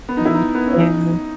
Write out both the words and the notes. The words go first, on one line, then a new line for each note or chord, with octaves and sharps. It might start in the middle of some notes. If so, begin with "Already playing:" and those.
Mm. Yeah.
B3
D#4
E4
D#4
B3
C#4
D#4